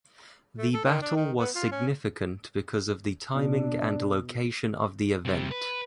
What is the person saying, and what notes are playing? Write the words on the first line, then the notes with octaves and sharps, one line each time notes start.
The battle was significant because of the timing and location of the event.
A3
A4
D#3
D4
D#3
B3
F4
C#4
B2 D4
C3 G3
B4